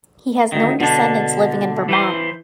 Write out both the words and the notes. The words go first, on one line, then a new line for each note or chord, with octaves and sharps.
He has known descendants living in Vermont.
D2 D#3
B2 D3 D4
E3 B4 C5